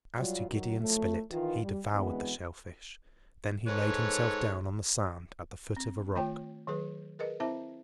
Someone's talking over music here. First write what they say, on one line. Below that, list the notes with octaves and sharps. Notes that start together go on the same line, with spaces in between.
As to Gideon Spilett, he devoured the shell-fish, then he laid himself down on the sand, at the foot of a rock.
F#3 G3 F4
D#3 F#3
A2 F3 F#3 A3
D#3 E3 F4
G3
B2 D3 E3 G#3 B3 C4
G#2 A4 B4 C#5
C4
D#3 A3 F4 C#5 G5
D#3 F#3 G#4 B4
G#4 A#4 B4 D#5
C4 E4 C5 E5 A5